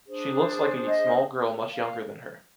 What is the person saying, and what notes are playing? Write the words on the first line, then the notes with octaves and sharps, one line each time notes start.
She looks like a small girl much younger than her.
D4 G#4 C5
D#5
F5